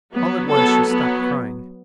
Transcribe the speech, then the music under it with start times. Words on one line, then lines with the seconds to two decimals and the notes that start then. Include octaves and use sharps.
All at once she stopped crying.
0.13 F#3 B3
0.51 F#3 B3 A4
0.89 F#3 B3